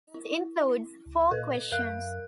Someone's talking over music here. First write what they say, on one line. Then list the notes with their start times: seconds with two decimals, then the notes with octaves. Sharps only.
It includes four questions.
0.14 E4
1.06 C#2
1.31 A#2 A4 B4
1.72 F#2 A#4 F5 F#6